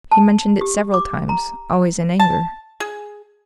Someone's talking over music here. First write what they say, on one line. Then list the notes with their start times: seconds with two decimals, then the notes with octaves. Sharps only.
"He mentioned it several times, always in anger."
0.12 A5
0.61 G4
0.94 D6
1.29 A#5
2.20 A5
2.80 G#4